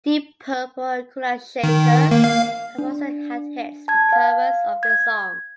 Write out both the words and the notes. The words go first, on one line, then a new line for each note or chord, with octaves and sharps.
Deep Purple and Kula Shaker have also had hits with covers of the song.
D#3
A#3
F5
D4
A5 G#6
F5
G#6